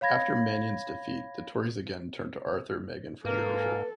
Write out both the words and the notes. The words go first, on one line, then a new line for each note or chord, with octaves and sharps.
After Manion's defeat, the Tories again turned to Arthur Meighen for leadership.
C#5 F5 B5 G#6 A#6
G#2 A#3 A4 B4